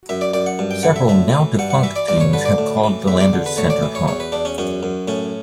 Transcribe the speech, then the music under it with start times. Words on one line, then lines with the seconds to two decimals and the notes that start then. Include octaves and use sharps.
Several now-defunct teams have called the Landers Center home.
0.09 F#2 E5
0.21 D5
0.34 F#2 D5
0.46 F#5
0.59 G2
0.71 G5
0.83 D3 F#5
0.96 E5
1.08 A2 E5
1.34 E3
1.59 G2 F#5
1.70 F#5
1.83 E3 E5
1.96 D5
2.08 G2 D5
2.21 C#5
2.33 D3 B4
2.45 D5
2.58 A2
2.84 E3
3.08 E2 E5
3.20 D5
3.33 D3
3.46 B4
3.57 A2 C#5
3.70 D5
3.83 E3
3.95 C#5
4.08 E2 C#5
4.20 B4
4.32 E2 D4
4.45 C#4
4.58 F#2 C#4
4.83 F#2
5.08 A2 C#4